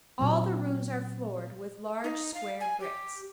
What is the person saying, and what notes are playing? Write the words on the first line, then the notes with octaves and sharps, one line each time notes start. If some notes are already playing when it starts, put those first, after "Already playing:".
All the rooms are floored with large square bricks.
A#2 F#3 C4
D#4
F5
G#5
G4